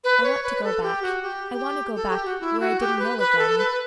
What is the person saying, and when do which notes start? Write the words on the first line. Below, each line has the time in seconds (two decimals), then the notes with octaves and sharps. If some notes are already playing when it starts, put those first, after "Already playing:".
"I want to go back--I want to go back, where I didn't know--again."
0.04 B4
0.23 C#5
0.43 B4
0.64 A4
0.83 G4
1.02 F#4
1.22 G4
1.52 G4
1.96 A4
2.11 G4
2.25 F#4
2.41 E4
2.60 F#4
2.80 G4
2.99 B4
3.18 B4
3.38 A4
3.58 B4